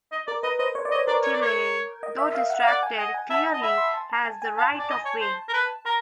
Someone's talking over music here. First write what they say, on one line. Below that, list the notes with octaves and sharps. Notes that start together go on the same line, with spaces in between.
Tilley, though distracted, clearly has the right of way.
D#5
A#4 D5
B4 D#5
C5 D#5
C#5
D5
D#5
C#5
A#4 D5
C#5
D5
C#5
D#5
E5
F5
F#5
F5
D5 F#5
G#5
D#5 G#5
G#5
E5 A5
D#5
E5 B5
C6
A5
A5
G#5
G#5
F5 A5
D5
D#5
C#5
C5
A#4
B4
A#4 A#5